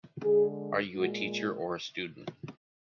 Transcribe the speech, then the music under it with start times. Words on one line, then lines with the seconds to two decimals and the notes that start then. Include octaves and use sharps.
Are you a teacher or a student?
0.23 D3 G#3 G#4
0.96 A#2 G#3 F#4